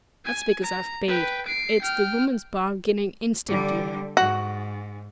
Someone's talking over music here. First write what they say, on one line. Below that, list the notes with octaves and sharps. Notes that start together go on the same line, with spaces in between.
That's because I've paid. It's the woman's bargaining instinct, you know.
G#5
A#5
B4 G5
C7 D7
G5 F6
D3 G3
G#2 F#4